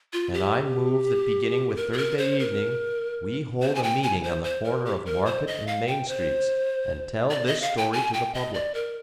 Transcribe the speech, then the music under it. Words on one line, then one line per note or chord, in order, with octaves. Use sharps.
And I move that beginning with Thursday evening, we hold a meeting on the corner of Market and Main streets, and tell this story to the public.
F4
G4
A#4
G#4
A#4
C5
A#4
C5
G#5
G5
G#5
C5
C5
A#4
G4
A#4
C5
D#5
F5
G5
C5
D5
D#5
F5
G5
G#5
G5
D#5
D5
A#4